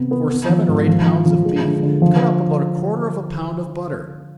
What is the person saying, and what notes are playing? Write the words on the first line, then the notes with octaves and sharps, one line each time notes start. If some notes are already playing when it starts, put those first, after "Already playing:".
For seven or eight pounds of beef, cut up about a quarter of a pound of butter.
Already playing: C3 B3
B3
B3
F3
G#2
F3
F3
F3
G#3
D3
D3
F3